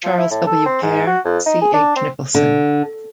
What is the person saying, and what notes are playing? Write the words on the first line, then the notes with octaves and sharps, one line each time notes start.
Charles W. Kerr, C. H. Nicholson.
F3
E4
A2
A4
C4
G#2
F#4
F2
D#4
G#4
D4
C4
D3